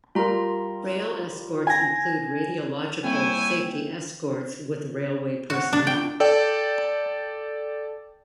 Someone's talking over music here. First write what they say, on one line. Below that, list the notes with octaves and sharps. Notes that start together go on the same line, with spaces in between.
Rail escorts include radiological safety escorts with railway personnel.
G3 F4 A#4 A#5 C6
G#5 G#6 A#6
G3 A#3 C4 E4 C#5 G5 G#5
F#4
D4
G5
A4 D5 G5